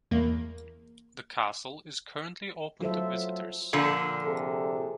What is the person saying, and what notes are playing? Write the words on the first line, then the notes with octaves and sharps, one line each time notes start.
The castle is currently open to visitors.
E2 A#3
F#3 F4 A4 C5 E5
A#2 D3 F3
C3 G#4 A4